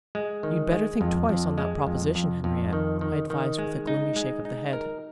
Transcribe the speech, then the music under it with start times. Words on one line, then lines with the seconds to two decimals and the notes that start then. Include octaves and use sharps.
"You'd better think twice on that proposition, Henriette," I advised with a gloomy shake of the head.
0.15 G#3
0.43 D#3
0.72 G#3
1.01 F2
1.29 F2
1.58 G#3
1.87 F2
2.15 F2
2.44 F2
2.73 D#3
3.01 D#3
3.30 D#3
3.59 G#3
3.87 D#4
4.16 G#3
4.45 D#4
4.73 A#4